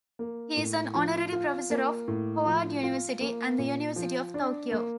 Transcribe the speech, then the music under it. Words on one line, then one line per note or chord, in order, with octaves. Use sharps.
He is an honorary professor of Howard University and the University of Tokyo.
A#3
A2
F3
F4
A#3
A2
F3
F4
A#3
A#2
F3
D4
A#3